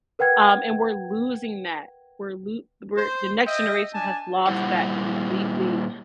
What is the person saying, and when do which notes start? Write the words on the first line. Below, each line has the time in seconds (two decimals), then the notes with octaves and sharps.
um, and we're losing that. We're lo we're the next generation has lost that completely,
0.19 A#4 B4 F#5 G5 G#6
2.97 C5
3.46 D#5 E5 G5
3.94 D4 G#5 A5
4.47 A#2 G3 C#4 E4 C5 F#5